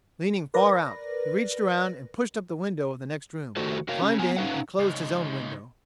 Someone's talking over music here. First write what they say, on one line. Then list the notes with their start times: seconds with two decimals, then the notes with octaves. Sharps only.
Leaning far out, he reached around and pushed up the window of the next room, climbed in and closed his own window.
0.54 A#4 B4 D5 A#6
3.57 D#3 A3 F#4 G4 A4 C5
3.89 F#4 A#4 C#5 F5
4.02 C#4 G#4
4.19 B3 F4 G#5
4.37 C#4 D#4 B4 F5 F#5
4.79 C#2 D#4